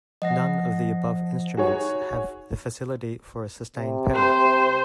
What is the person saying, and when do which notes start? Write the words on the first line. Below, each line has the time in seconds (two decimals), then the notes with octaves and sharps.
None of the above instruments have the facility for a sustain pedal.
0.22 F3 D#5 F#5 A#6
1.57 D#4 F#4 G#4 C#5
3.76 C3
4.14 C5